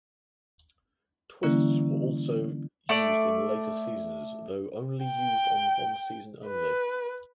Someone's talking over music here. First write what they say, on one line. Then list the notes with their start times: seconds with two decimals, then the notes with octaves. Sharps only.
Twists were also used in later seasons though only used on one season only.
1.43 D3 E3 G3 A#3 C#4 E4
2.89 A3 D5
5.05 G5
6.47 B4